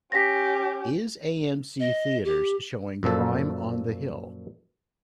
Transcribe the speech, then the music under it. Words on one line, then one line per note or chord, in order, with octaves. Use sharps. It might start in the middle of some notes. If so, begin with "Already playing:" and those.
Is AMC Theaters showing Crime on the Hill?
C#4 G4 A#6 B6
D#5
G4
F#2 A#2 F3 A4